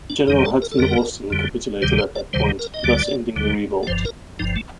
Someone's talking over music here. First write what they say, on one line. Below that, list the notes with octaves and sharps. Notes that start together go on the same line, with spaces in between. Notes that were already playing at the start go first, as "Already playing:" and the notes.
General Hudson Austin capitulated at that point, thus ending the revolt.
D4
F2 D#3 G3 D#4
A4
A#4
A4
F2 D3 G3 A#4
F2 D3 G3
D2 C3 D#3 G3 C5
C5
D5
D2 C3 D#3 G3 C5
A#4
D#5
D2 D3 G3 D5
D2 D3 G3
D5
G1 G2 F3 C5
A#4
G1 G2 F3 D#4
A3